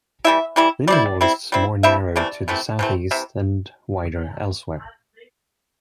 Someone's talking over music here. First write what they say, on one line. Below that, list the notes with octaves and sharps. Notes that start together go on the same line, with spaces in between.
The inner wall is more narrow to the southeast and wider elsewhere.
E3 G3 E4 E5
E3 G3 E4
G3 C4 E4 D5
G3 C4 E4
G3 C4 E4
G3 C4 E4 E5
C3 E3 A3 D5
C3 E3 A3 C4
C3 E3 A3 C4
C3 E3 E5